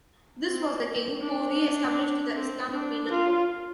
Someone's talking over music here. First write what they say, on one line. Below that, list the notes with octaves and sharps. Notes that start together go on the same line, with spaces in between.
This was the king who re-established the Islamic penal code.
C4
D4
D4
C4
D4
F4